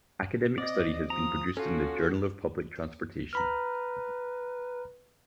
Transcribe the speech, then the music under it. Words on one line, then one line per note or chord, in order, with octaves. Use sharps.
An academic study has been produced in the "Journal of Public Transportation".
C4 D5 D#5
F3 A#5 D#6
C#4 F4 F#4 A4
B4 A#5 B5 F6